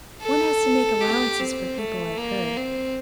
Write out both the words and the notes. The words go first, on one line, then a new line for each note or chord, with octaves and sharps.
One has to make allowances for people like her.
A4
G4
C4
A3
A#3
C4